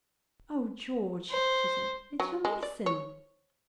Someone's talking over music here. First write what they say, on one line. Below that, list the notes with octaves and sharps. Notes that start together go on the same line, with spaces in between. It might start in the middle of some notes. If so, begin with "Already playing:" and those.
"O George," she said, "it's your medicine!"
C5
F#3
G#3
D5
C#5